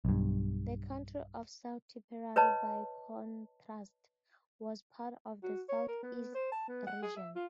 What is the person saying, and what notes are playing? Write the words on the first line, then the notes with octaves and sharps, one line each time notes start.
The county of South Tipperary, by contrast, was part of the South-East Region.
B1 G2
B4 C#5 D#5 A5
F#4
C#5
A#4
B3
C5
A5
B3
F#5
G#4
E5
F4